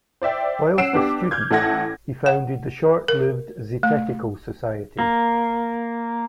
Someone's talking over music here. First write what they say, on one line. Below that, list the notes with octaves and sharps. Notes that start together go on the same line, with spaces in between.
Whilst a student he founded the short-lived Zetetical Society.
C5 D5 E5 G5
C#4 F#5 E6 C7 D7 E7
B3 D4 G4 D6
F6 G6 G#6
A1 A3 A4 F#5 G#6 A#6
F#5
A#4
A3
A#3